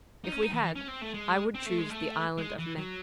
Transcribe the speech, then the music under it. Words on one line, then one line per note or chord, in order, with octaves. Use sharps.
'If we had I would choose the Island of Man.'
D#4
C#4
D#4
E3
E3
C#4
C4
A3
G#3
C4
A3
G#3
A3
G#3
E3
F#3